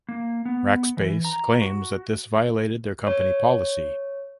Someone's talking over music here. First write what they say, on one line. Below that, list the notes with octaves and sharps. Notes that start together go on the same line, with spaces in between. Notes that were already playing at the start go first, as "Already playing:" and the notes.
Rackspace claims that this violated their company policy.
A#3
B3
E3
A#5
F#4
C#5